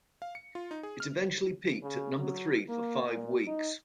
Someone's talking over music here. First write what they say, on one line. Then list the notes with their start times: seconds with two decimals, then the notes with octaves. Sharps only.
It eventually peaked at number three for five weeks.
0.22 F5
0.35 C#7
0.55 F4
0.71 D#4
0.83 G#4
1.00 F6
1.83 C#3
2.18 F#3
2.69 A#3
3.09 A#2
3.47 D#4